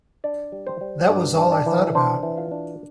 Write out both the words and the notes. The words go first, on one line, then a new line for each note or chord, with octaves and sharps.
That was all I thought about.
D4 D5
G3
C5
G3
G2 D5
D4
D5
E3
D4 C5
E3
F4
D4